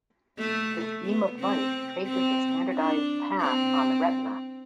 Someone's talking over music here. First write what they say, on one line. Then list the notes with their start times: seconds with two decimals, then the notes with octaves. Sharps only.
This beam of light traces a standardized path on the retina.
0.38 A3
1.05 B3
1.39 C4
2.06 C4
2.73 D4
3.40 C4